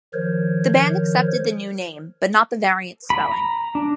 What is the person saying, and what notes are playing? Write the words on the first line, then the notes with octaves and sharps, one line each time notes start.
The band accepted the new name, but not the variant spelling.
D#3 F3 A#4 C5 C#5
B5
A#5
D4